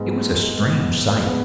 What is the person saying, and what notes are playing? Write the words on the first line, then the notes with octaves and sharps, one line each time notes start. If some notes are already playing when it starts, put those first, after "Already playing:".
It was a strange sight.
Already playing: G#2 G#3 B3
G#2 G#3 B3
G#3 B3